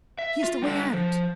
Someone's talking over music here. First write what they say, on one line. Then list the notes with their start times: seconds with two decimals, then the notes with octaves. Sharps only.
"Here's the way out!"
0.19 E5
0.44 F4
0.62 G3 D4 A4
0.93 F3